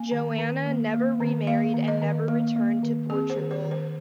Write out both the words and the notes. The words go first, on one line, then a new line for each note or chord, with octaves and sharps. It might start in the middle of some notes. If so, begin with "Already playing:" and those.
Joanna never remarried and never returned to Portugal.
Already playing: A#3 G#5
D#3
D#3
A#3
A#3
D#3
A#3 F5
D#3
D#5
D#3
A#3
A#3
D#3
C4 G#4
C5
D#3
C5
D#3
C5